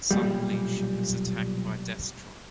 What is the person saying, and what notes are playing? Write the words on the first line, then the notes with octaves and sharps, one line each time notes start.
Suddenly, she was attacked by Destron.
B1 A#2 G3